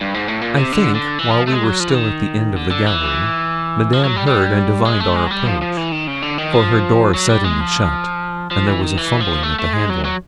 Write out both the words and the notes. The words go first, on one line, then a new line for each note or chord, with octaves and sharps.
I think, while we were still at the end of the gallery, Madame heard and divined our approach, for her door suddenly shut, and there was a fumbling at the handle.
G2
G#2
A2
A#2
C3
D3
D3
E3
F3
A3
G#3
F#3
F3
E3
D#3
D3
D3
E3
F3
F#3
G3
G3
G#3
A3
G#3
F#3
G3
F3
F3
E3
D#3
C#3
D3
D#3
F3
F#3
G3
G#3
F3
F3
E3
D#3
E3
F3
A3
A3
G#3
F#3
F#3